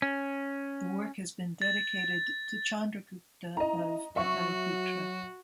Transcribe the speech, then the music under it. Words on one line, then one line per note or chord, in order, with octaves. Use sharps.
The work has been dedicated to Chandragupta of Pataliputra.
C#4
A6
E4 D#5 A#5
F#3 F#4 E5 C#6